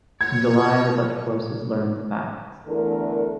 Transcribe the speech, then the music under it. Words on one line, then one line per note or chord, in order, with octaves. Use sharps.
In July, the Dutch forces learned the facts.
C#5 G#6
E2 D3 E3 A3 A#4